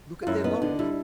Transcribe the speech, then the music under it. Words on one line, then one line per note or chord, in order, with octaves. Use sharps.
Look at their laurels.
F4
F#2 E4
B3 D#4
D3 D4
G3 E4